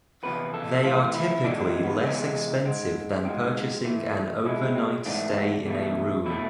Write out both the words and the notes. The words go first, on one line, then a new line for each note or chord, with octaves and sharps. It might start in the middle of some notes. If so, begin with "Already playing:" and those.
They are typically less expensive than purchasing an overnight stay in a room.
E2 C3 F3 B4
A4
F2 E3 A3 F4
E4
E2 D3 G#3 D4
C4
B3
E2 C3 G#3 C4
G#2 G#3 C4
G#2 F3 G#3 C4
A2 E3 A3
B2 G#3 E4
C4
G#2 E3 A3 D4
E2 B2 A3
B2 A3 E4